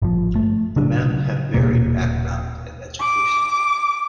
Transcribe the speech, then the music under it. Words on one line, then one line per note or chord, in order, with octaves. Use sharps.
The men had varied background and education.
G1 F3
A3
C#3 F#3 D4
D#1 B2 A#3
D6